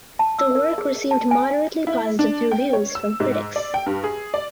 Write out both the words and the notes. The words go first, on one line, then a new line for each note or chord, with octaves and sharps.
The work received moderately positive reviews from critics.
A5
E6
A#4
G#4
A5
G#5
E4
D4
G5
C#5
E6
G#2
D5
G5
G2
G#4
D5